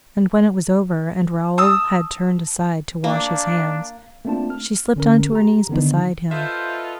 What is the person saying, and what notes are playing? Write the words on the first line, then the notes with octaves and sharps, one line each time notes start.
And when it was over and Raoul had turned aside to wash his hands, she slipped on to her knees beside him.
A5 D#6 E6
A#3 D4
A3 A#3 C4 D4 F4 A5
F6
D3 C#4 A#4
G4 A#5
D3 D#3 B3 D4 D#4
F4 A4 B4 C5 D#5 E5